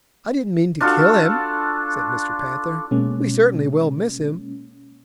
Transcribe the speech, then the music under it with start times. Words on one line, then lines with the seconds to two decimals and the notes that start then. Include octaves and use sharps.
'I didn't mean to kill him,' said Mr. Panther. 'We certainly will miss him.
0.81 D4 F4 F#4 A4
2.91 B2 G#3 A#3 C#4